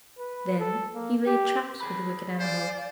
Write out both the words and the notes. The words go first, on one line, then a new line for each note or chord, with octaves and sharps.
Then he laid traps for the wicked animal.
B4
A4
A#3
G4
G#4 B4 B5
C5 D5 F5 G#5